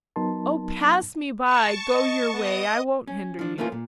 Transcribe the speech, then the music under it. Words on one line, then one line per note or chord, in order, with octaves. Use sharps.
"Oh, pass me by, go your way, I won't hinder you!..."
F#3 B3 D#4 A#4 A5 C6
A5 C#6
D#5
B3 D#5 D#6
C#4
F3 D4
F3 A3 A#3 C#4 E4 F4
A#2